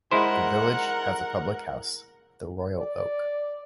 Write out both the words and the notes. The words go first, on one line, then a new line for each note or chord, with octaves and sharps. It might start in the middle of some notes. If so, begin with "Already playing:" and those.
The village has a public house, the Royal Oak.
G#3 E4 A#4 C5 F#5
D5